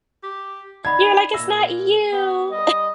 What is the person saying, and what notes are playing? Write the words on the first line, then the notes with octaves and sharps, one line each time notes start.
you're like, "It's not you."
G4
D#4 D5 F#5 B5 G#6
A#2 E5 E6
B3
G3 D#5